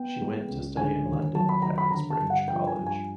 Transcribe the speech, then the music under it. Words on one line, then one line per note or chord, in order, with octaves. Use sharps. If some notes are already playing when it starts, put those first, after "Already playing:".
She went to study in London at Uxbridge College.
Already playing: B3 G5
G#3
C#2
D3 G#5
D#2
F#3 A5
B5
D#2 A#5
B5
D3 A#5
A5
G2
F#5
F3 G5
G#5
G2
G#5